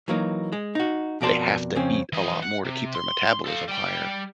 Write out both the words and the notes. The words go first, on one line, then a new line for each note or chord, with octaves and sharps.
they have to eat a lot more to keep their metabolism higher
E3 F#3 A#3 D#4
G#3
D#4 F#4
F2 B2 A#4 D5 A5 C6
F2 C#3 C4 C#4
E3 D#5
F#5
C3
C6
A4 F5
G3 G5